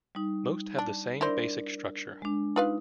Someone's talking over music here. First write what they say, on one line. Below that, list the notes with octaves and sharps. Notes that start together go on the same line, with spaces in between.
Most have the same basic structure.
G3 D#4
D4
D4 E4 A#4 C5 D5
G#3 D4
D#4 F4 B4 F5